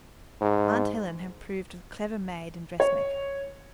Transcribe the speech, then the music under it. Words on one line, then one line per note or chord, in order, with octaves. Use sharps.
Aunt Helen had proved a clever maid and dressmaker.
G#2
C#5